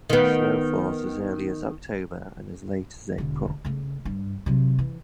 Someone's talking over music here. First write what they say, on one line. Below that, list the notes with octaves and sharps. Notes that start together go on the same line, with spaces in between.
Snow falls as early as October and as late as April.
D#3 B3
E1 D3
C#3 A3
G2
C3 F#3
E3